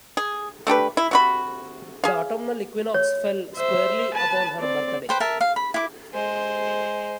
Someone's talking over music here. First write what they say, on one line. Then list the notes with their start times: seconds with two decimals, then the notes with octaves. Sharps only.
The autumnal equinox fell squarely upon her birthday.
0.17 G#4
0.67 A3 D4 G4 B4
0.97 E4
1.11 C3 F#4 B5
2.04 G#4 F5
2.94 C#5
3.55 C5 E5
4.14 B4 A5
4.59 C4 D5
5.09 B4 C5 G5
5.20 A#4 E5 A5
5.41 F5
5.56 B5
5.74 E4 D6
6.14 G#3 C5